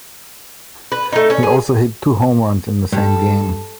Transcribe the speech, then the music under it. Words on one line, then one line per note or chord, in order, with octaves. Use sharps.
He also hit two home runs in the same game.
B4
A3 D#4
C#4
G#4
G2 A4